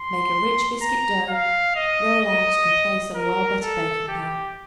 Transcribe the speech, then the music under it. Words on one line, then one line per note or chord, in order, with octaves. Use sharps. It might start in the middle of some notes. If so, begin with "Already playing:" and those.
Make a rich biscuit dough, roll out and place on a well-buttered baking-pan.
Already playing: C6
A#5
F5
D#5
D#5
A#4
A4
G4